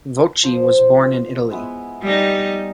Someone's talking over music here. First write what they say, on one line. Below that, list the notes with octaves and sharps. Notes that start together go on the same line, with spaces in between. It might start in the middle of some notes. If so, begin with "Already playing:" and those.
Voci was born in Italy.
F3 C5
G#3 B3 E4
G3 D#4 D#5